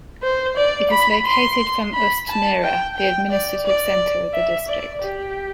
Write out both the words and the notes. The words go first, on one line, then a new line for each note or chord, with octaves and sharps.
It is located from Ust-Nera, the administrative center of the district.
C5
D5
B5
C6
B5
A5
G5
G5
D5
D5
E5
D5
G4